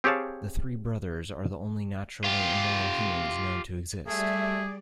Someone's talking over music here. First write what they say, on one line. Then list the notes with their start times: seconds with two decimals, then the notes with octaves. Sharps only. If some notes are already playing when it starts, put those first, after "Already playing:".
The three brothers are the only naturally immortal humans known to exist.
0.04 C4 G4 G#4 C#5 F5 A5
2.24 F4 G4
4.07 G3 A3 G#4 D5 E5